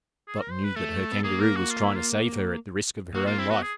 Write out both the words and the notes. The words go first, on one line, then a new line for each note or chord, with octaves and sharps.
Dot knew that her Kangaroo was trying to save her at the risk of her own life.
G#4
A#4
C5
B4
A3 A4
B3
A#3 G#4
A#4
F#4
F4
E4
F4
A#3 F#4
A#3 F4
C4 E4
B3 F#4
G#4